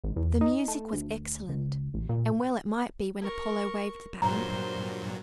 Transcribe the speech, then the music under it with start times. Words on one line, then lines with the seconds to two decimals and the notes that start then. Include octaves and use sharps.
The music was excellent, and well it might be when Apollo waved the baton.
0.04 G#1
0.16 E2
0.41 D#4
0.68 A3
0.93 D2
1.49 C#2
1.94 A1
2.09 A#2
3.21 A#4 C#6
4.22 G2 A#2 F#3 A#4 C5 A#5